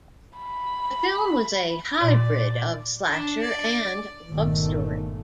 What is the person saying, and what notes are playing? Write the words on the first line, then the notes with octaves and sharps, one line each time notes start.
The film was a hybrid of slasher and love story.
B5
A#2 D5
D4
D5
G1 A#2 D#3 A3